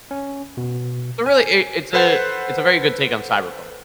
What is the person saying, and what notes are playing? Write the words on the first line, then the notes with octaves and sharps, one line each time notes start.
So, really, i it's a it's a very good take on cyberpunk.
C#4
B2
G#5
A4 B4 C5 F#5